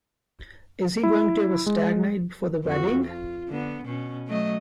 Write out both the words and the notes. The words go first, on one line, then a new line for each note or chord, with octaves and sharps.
Is he going to have a stag night before the wedding?
E4
G#3
F2 F#4
F4
D3 B3
B2 C#4
F#3 A3 D#5